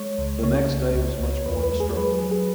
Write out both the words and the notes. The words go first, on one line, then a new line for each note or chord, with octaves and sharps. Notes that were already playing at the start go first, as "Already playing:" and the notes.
The next day was much more destructive.
Already playing: G#3 C#5
C#2
C#3 C#5
C#2
C#2
C#2
E2 B4
B4
G#3
G#4
F#3 B4
G#4
F#3
G#4